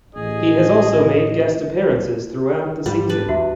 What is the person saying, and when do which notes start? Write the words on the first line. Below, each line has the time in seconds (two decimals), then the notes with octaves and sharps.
He has also made guest appearances throughout the season.
0.16 A1 G#4 D#5
2.86 G#2 G3 F4
3.09 G3 D4 B4
3.28 E2 E4 F#4 E5